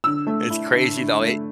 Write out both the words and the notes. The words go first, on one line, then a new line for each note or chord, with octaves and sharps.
It's crazy though, it
D3 E6
A3
E4
D3
D3
A3